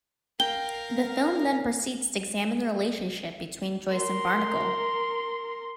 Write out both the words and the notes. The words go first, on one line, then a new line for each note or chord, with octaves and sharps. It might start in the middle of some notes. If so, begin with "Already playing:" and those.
The film then proceeds to examine the relationship between Joyce and Barnacle.
A#4 F5 G5 G7
A#4 C6